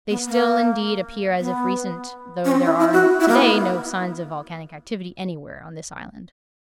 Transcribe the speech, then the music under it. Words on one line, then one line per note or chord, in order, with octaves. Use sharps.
They still, indeed, appear as if recent, though there are to-day no signs of volcanic activity anywhere on this island.
B3
A#3
B3
C#4
C4
E4
E4
F#4
E4
A#3
B3